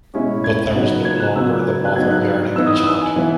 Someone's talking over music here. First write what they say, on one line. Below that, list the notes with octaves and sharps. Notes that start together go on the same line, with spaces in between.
But there was no longer the mother yearning in his heart.
B2 G#3 C#4 E4
G#6
C#3 F#3 B3 D#4
G#6
F#6
C#3 F#3 B3 E6
F#6
F#3 B3 D#4 G#6
F#6
E3 B3 D#4 E6
D#6
D#6
E6
G#5
E3 B3 E4 G#5